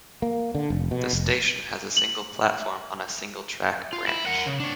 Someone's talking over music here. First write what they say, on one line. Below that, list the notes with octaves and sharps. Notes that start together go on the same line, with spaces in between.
The station has a single platform on a single track branch.
A#3
D3
F1
B2
F1
F#7
F4
E4
A#4 F#5
C#3
D4 C#5